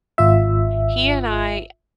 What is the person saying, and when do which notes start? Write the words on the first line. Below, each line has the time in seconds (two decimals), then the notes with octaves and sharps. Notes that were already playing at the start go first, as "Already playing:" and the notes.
he and I
0.18 G#1 F4 E5